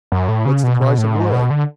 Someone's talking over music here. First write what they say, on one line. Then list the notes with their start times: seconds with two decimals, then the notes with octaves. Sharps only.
"What's the price of wood?"
0.12 F#2
0.28 A2
0.45 C#3
0.63 B2
0.81 B2
0.98 A2
1.16 G#2
1.33 B2
1.50 D3